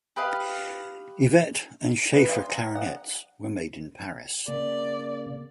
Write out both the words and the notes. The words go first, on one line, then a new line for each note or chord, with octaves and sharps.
Evette and Schaeffer clarinets were made in Paris.
G4 B4 D#5 F5
B4
F4
A#5
F#5
C#3 A#3 D5